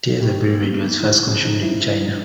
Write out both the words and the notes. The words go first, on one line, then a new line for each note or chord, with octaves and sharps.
Tea as a beverage was first consumed in China.
D#2 D#3 G3 A3
A#3
B3
D#4
E4
C#2 C#3 F3
D#4
E4
E4
D4